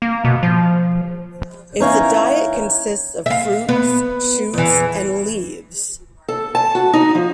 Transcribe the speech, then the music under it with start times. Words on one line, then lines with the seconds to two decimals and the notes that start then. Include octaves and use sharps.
Its diet consists of fruits, shoots and leaves.
0.02 A#3
0.24 B2
0.43 F3
1.80 E3 A#3 C#4 D#4
3.26 E5 F5
3.68 B3
4.53 E2 E3
6.28 A4
6.55 A5
6.75 F#4
6.93 D#4
7.15 F3